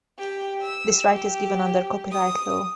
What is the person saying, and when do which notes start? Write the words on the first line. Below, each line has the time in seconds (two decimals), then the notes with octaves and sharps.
This right is given under copyright law.
0.19 G4
0.62 E6
1.11 G4
2.12 D#6